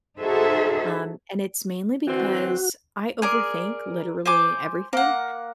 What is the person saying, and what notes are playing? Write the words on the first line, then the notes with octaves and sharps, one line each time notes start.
um, and it's mainly because I overthink literally everything,
D#4 F#4 G#4 A4 C5 E5
D3 E3 C4 F#4
G#4 A#4 D5
C5 G#5 D6
A#3 F#5